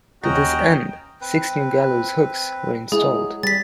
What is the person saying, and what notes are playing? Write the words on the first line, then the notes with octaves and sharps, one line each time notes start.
To this end, six new gallows hooks were installed.
D#2 C#4 F#4 C#5 D#5 G5 A#5
C4 B4
F#3 G#3 E4 G#4
G3 A6 B6